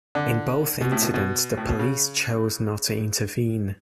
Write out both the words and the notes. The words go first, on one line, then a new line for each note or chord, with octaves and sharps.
In both incidents the police chose not to intervene.
D3
B2
A2
B2
B2
A2
B2
C#3